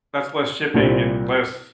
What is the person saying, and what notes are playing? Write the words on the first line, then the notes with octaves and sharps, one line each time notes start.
that's less shipping and less,
C2 A#2 G3 C4